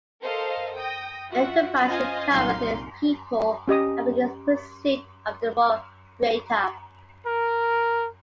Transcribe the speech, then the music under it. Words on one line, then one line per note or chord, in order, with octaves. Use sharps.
"Enterprise" recovers its people and begins pursuit of the rogue freighter.
A4 A#4 C5 D#5 F5
G5 D#6 A#6
F4 F#4 E5 F#5
C#4 F4 C5 D#5 F5 G#5
C2 A#2 F#3 D#4 F5 C6
C#4 G4 D#5 D#6
A#4